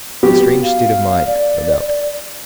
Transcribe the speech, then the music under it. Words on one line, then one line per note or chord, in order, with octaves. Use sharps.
A strange state of mind, no doubt.
B3 F#4 G4
F5
D5